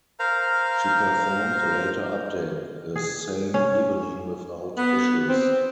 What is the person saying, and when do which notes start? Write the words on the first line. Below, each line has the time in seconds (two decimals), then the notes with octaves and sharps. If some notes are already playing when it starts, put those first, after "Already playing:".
She performed a later update the same evening without issues.
0.19 A#4 C5 F5 A#5
2.96 G#4
3.54 C#4
4.77 B3
5.28 C4